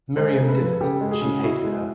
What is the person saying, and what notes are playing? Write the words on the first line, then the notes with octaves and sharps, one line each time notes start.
Miriam did it, and she hated her.
G#3 A#4 C5
C#3
A4 B4
F3
C#3 G4 A4
G#3
F#4 G#4
C#3
B2 E4 F#4
G#3